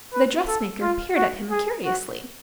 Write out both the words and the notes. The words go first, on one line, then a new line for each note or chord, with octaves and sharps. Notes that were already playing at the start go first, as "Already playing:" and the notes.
The dressmaker peered at him curiously.
B4
A4
F4
F#4
G#4
F#4